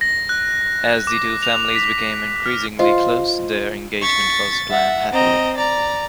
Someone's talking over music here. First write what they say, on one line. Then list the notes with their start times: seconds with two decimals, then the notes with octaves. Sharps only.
As the two families became increasingly close, their engagement was planned happily.
0.01 A#6
0.29 F#6
1.07 D6
1.43 F7
1.75 B6
2.46 F6
2.79 F4 C5 D#5
4.02 C#6 A6 B6
4.71 E5 F#5
5.13 C4 D#5 A#5
5.57 D5 A#5